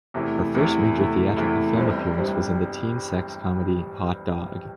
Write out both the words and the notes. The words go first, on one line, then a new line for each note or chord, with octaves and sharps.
Her first major theatrical film appearance was in the teen sex comedy Hot Dog...
E2 C3 A3 E4
E2 C3 A3 E4
E2 C3 A3 E4
E2 C3 A3 E4
G1 G2 G3 C4
G1 G2 G3 C4